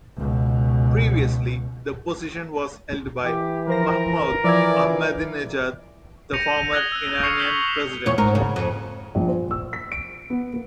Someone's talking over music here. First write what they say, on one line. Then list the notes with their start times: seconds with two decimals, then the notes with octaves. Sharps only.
Previously, the position was held by Mahmoud Ahmadinejad, the former Iranian President.
0.16 C#2 B2
3.25 E3 G4
3.68 F3 A#4 C5 A#6
4.44 E3 F3 D5 E5 G#6
6.33 G6 A#6 C#7 D#7 F7
6.72 D#6 F#6 G#6 A#6 F#7 G7
6.92 E6 F#6
7.23 C#6 F6 C7 C#7 F7 G7
7.39 G6 B6 F#7 G7
7.68 E7
8.06 E2 A#2 C#5
8.18 G#2 A#4
8.35 C#3
8.56 F2
9.15 A#1
9.28 C5
9.51 E6
9.73 B6
9.92 D7
10.30 B3
10.53 A#3